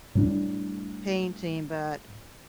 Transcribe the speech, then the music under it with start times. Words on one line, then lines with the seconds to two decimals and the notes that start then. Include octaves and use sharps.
painting, but,
0.15 A2 G3 C#4 D4